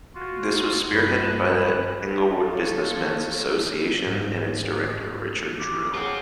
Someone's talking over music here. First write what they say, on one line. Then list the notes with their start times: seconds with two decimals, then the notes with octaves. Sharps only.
This was spearheaded by the Englewood Business Men's Association and its director, Richard Drew.
0.15 F4 F#4
0.93 G2 B4 F#6
2.30 F4 A4 C#5
4.06 G#2
5.59 D6
5.94 C4 F4 G#4 C#5 F#5